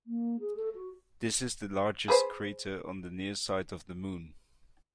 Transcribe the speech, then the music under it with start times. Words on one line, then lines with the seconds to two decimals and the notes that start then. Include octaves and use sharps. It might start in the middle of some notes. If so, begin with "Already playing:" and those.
This is the largest crater on the near side of the Moon.
0.06 A#3
0.40 G#4
0.56 A4
0.75 F#4
2.08 G#4 B4 C5